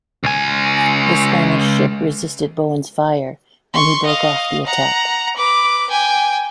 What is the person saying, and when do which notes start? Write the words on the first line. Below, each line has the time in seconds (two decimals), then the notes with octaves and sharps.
The Spanish ship resisted Bowen's fire, and he broke off the attack.
0.24 C#2 G#5
3.74 C6 C#6
4.06 D#5 F5
4.66 F#5 A#5
5.37 B4 D6
5.89 G5 G#5